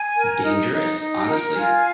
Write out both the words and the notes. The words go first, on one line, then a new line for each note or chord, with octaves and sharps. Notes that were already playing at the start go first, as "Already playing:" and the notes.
dangerous, honestly.
Already playing: G#5
A#4
D#4
D#4
D#4
A#4
F4 G#5